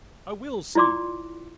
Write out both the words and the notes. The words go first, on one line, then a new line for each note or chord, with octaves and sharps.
I will see!
E4 F4 D5 C6 D6